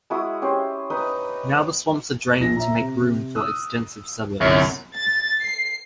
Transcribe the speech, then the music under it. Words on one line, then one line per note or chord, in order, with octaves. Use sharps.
Now the swamps are drained to make room for extensive suburbs.
G#3 E4 F#4 D#6
C#4 G4 C5
D#4 B4 D#5
A#1 A#6
E5 A#5
C3
D#6 E6 F#6
G1 C2 F#2 C#5
A6
C7